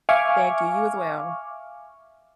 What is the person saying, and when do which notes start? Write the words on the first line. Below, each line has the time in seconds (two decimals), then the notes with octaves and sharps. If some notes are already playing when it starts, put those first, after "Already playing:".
Thank you. You as well.
0.09 E5 F5 G#5 C#6 D6 F6